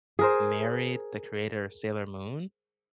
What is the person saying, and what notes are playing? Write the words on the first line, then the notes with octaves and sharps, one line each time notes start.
married the creator of Sailor Moon.
G#4 A#4 C5